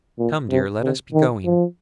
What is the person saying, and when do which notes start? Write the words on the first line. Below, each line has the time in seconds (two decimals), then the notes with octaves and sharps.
Come, dear; let us be going.'
0.19 A#2
0.50 C3
0.82 C3
1.14 D#3
1.45 F3